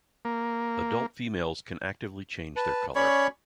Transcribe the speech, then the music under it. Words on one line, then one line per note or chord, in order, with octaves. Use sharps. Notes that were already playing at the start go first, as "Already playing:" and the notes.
Adult females can actively change their color.
A#3
B4 A5
C#4 C#5 D5 B5 C#6